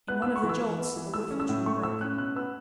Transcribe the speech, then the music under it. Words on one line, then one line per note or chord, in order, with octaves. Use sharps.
In one of the jolts, the whiffle-tree broke.
B3 F#6
B3 E6
C#6
E3
E6
E3
B3
E3
A3 E6
C#4
E6
A2
A3 C#6
A2 E6
C#4 F#6
B2 F#6
B3 E6